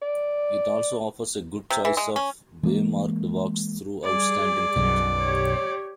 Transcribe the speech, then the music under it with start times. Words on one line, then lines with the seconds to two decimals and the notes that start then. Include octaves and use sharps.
It also offers a good choice of waymarked walks through outstanding country.
0.02 D5
1.70 C3
1.85 E3
1.97 G#3
2.16 C#4
2.63 E3 G#3 A#3
4.04 G3 G#4 D5
4.76 B1 F#2 B2
5.21 G4 C#5